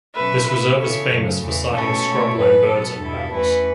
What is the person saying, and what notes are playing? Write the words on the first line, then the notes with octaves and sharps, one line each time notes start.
This reserve is famous for sighting scrub land birds and mammals.
B2 F#3 C#4 B4 E5
C#3 A3 E4 B4
C#3 E3 B3 E4 A4 C#5
F#2 C#3 F#3 A3
E2 C#3 E3
B2 A3 C#4 E4 A4 C#5
B2 A3 E4
F#2 E3 B3 B4
B2 F#3 B3 A4
E2 B2 B3 E4
E2 E3 A3 C#4 E4 B4